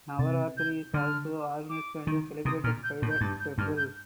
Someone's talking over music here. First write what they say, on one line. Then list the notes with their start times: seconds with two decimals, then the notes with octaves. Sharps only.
Navaratri is also organised and celebrated by the temple.
0.19 C3 A6
0.57 G6
0.94 D3 F6
1.69 D6
2.07 D#3
2.45 C3 D#6
2.64 A#2 F6
2.83 G6
3.02 A2
3.10 G6
3.21 G2 A6
3.39 G6
3.58 G2 F6
3.77 G6